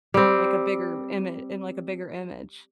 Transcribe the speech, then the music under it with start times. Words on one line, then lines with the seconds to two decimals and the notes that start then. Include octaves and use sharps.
like, a bigger ima in, like, a bigger image.
0.14 G3 C4